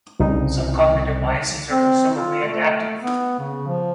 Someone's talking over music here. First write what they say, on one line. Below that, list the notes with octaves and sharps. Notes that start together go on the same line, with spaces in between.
Some cognitive biases are presumably adaptive.
C2 C#3 G3 D#4
C4
F4
A3
B3
C#3
F3